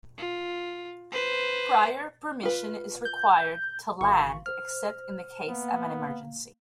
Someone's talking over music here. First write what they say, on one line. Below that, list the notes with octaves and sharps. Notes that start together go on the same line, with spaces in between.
Prior permission is required to land except in the case of an emergency.
F4
B4 C5
F4 B4
G6
G#1 F5 C6 C#6
C5 F6
A#3 B3 F5